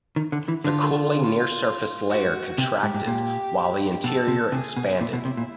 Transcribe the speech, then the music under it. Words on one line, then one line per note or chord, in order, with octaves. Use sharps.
The cooling near-surface layer contracted, while the interior expanded.
D#3
D3
E3
D3 F4
F#4
C3 G4
G#2
G#2
A#2
B2 A4
C3
C3 G#4
B2
A#2 E4
B2
C3
A#2